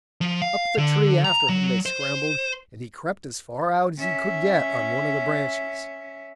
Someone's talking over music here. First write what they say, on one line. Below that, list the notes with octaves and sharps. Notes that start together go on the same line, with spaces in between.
Up the tree after him they scrambled, and he crept as far out as he could get on one of the branches.
F3
F5
D3
A#5
F#3
C5
C#4 E5